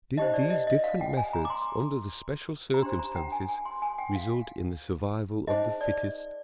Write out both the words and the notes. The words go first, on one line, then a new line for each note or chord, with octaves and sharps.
Did these different methods under the special circumstances result in the survival of the fittest?
D#4 G4 C5 D#5
D5
D#5
D#5
F5
G5
G#5
A#5
D6
C6
A#5
D4 G4 C5 C6
A#5
G5
G#5
G#5
C6
G#5
G5
F5
D#4 G#4 C5 D#5
D5